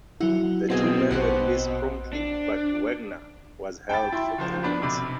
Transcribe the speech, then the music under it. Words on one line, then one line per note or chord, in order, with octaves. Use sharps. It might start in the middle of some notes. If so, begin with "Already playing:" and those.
The two men were released promptly but Wagner was held for three months.
F#3 E4 F#5
B2 C4 G#4 G#5
A#1 B2 C4 G4 F#5 F#6
D4
G5 A5 B5 A6
E4 G5 C6
F#1 F3 C5
B3 D4 B4
B1 C3 B5 D6